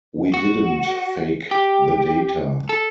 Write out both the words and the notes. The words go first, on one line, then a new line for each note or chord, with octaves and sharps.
We didn't fake the data.
F#4
G4
A4